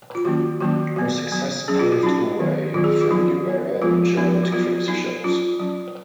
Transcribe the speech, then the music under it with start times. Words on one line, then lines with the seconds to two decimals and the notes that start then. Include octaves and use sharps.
Her success paved the way for a new era of giant cruise ships.
0.15 F4
0.25 D#3 F#3 A#3 C#4 F#4
0.60 D#3 F#3 A#3 C#4 F#4
0.96 F#3 B3 F#4
1.32 F#3 B3
1.68 F#3 C#4 G#4
1.79 F4
1.92 F#4
2.03 F#3 C#4 D#4
2.39 D#3 F#3 B3
2.74 D#3 F#3 B3 F4
2.84 G#4
3.01 F4
3.11 F#3 B3 D#4
3.46 F#3 B3
3.82 F3 G#3 B3 F4
4.17 F3 G#3 B3 D#4
4.43 F#4
4.52 F#3 B3 F4
4.88 F#3 B3 D#4
5.24 F#3 C#4 F4
5.59 F#3 C#4